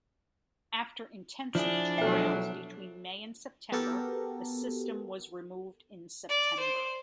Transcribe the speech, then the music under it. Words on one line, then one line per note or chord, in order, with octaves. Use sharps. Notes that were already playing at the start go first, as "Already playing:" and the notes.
After intensive trials between May and September, the system was removed in September.
F3 D4 E4 G#4
B2 F#3 A4 E5
B3 F#4 G4 A4 A#4
D5
C5